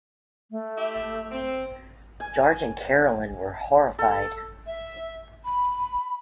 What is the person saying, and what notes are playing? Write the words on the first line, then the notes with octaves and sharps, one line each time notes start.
George and Caroline were horrified.
A3
E4 G4 E5
C4
G#5
A4
E5
B5